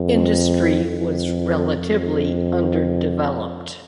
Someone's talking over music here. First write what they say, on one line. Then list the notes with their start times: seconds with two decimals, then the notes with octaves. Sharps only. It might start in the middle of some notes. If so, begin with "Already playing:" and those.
Industry was relatively underdeveloped.
Already playing: F2
0.85 F2
1.77 F2